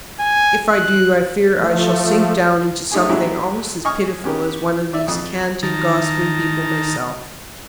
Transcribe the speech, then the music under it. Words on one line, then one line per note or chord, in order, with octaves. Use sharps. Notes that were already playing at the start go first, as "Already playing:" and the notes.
If I do, I fear I shall sink down into something almost as pitiful as one of these canting, gossiping people myself.
G#5
F#6
F3 A3
A3 D#4 G4 G#4 G#5
E3 F#3 G#3 D4 E4 G4
D#5 G#5 C#6 F6
B3 C#4 G4
D5 E5
F2 D#6
D#3 A5 A#5